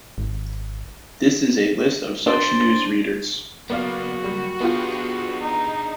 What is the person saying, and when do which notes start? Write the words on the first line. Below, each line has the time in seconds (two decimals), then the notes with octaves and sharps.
This is a list of such newsreaders.
0.18 G#1
2.26 D4 C5 D5 C6
3.70 F#2 A#3 B3 F#4 D5 F5
4.24 G3
4.60 B3 D4 F4 G4 G#4
5.41 D#4